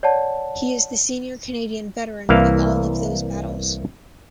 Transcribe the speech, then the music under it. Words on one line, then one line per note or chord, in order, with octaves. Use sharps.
He is the Senior Canadian Veteran of all of those Battles.
C#5 D5 F#5 A5
C2 E3 A#3 F5